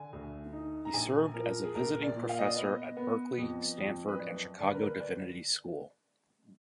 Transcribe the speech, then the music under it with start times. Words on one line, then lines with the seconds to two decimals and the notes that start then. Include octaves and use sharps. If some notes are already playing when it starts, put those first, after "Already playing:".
He served as a visiting Professor at Berkeley, Stanford and Chicago Divinity School.
Already playing: D3 G#5
0.13 D2
0.53 D#4
0.85 A#5
0.93 A#1 G#5
1.34 F3 A#4
1.64 G#4
1.75 A#1 A#4
2.02 D5
2.15 A#2
2.29 F5
2.39 D#5
2.47 D5
2.56 B3 D#5
2.97 B3
3.38 F2
3.78 F2
4.08 B4
4.18 F#2 D5
4.59 D3 D5
4.68 B4
4.75 A#4
4.83 B4
5.00 D5